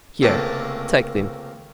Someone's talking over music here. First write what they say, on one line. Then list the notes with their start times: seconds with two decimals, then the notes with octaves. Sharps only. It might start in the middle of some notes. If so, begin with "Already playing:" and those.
Here, take them!
0.22 C#2 C3 A3 A#3 A5